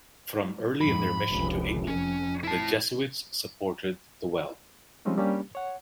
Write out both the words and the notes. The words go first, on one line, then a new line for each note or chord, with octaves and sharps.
From early in their mission to England, the Jesuits supported the well.
F2 G#2 B5
F1 C#2
F2 C#4
E4 A5
F3 G3 G#3 C4 C#4 D#4
G3 A#3 C#4 D4 G4
C#5 F#5